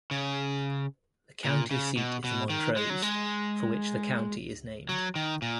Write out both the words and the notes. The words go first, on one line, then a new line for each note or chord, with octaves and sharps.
The county seat is Montrose, for which the county is named.
C#3
A#2
C#3
B2
B2
D#3
G#3
F#3
G#3
F#3
D#3
A#2